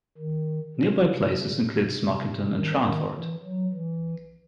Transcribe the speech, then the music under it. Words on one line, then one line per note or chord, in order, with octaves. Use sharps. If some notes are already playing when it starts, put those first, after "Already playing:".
Nearby places include Smockington, and Sharnford.
D#3
C#3
C3
C#3
C3
C3
C3
D#3
D#3
E3
F#3
E3